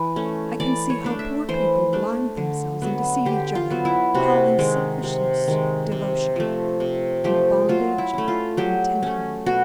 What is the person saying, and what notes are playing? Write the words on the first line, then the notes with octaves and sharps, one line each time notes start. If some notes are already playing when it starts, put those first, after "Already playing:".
I can see how poor people blind themselves and deceive each other, calling selfishness devotion, and bondage contentment.
Already playing: E3
A3 C#4
E3 D5
C#5
A3 D4
E5
E3 C5
A3 D4
D3
F#3 B3
D3 G4
F4
F#3 B3
E4
C3 F#4
D#3 G#3
C3
D#3 G#3
C3
F3 A3
C3
F3 A3 G4
F#3 F4
E4
A3 C#4
F4
F#3 G4
A3 C#4
B2 F#4